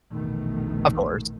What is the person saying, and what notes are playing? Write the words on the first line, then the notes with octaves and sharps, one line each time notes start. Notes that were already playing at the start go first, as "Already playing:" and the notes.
Of course.
A#1 E2 B2 D#3 A3